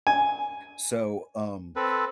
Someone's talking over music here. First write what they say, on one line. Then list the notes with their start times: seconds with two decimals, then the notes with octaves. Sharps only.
So, um,
0.07 G#5
1.76 C4 A4 B4